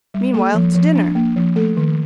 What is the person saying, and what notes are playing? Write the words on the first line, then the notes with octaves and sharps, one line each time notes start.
Meanwhile, to dinner!
G3
A#3 A4
F3
F3
D4
A#3
F3
A3 A4
D#3